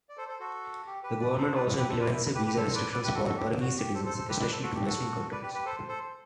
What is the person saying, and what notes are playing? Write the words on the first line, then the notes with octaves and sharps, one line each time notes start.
The government also implemented extensive visa restrictions for Burmese citizens, especially to Western countries.
D5
A4 C5
A4 C5
F#4 A4
G4
G4 B4
B4 D5
A4 C5
B4 D5
G4 B4
A4 C5
B4 D5
E4
G4 B4
G4 B4
A4 C5
B4 D5
B4 D5
G4 B4
F#4 A4
F#4 A4
G4
F#4
G4
A4 C5
A4 C5
A4 C5
G4 B4
B4 D5
A4 C5
F#4 A4
G4
F#4 A4
B4 D5
G4 B4
G4 B4
A4 C5
A4 C5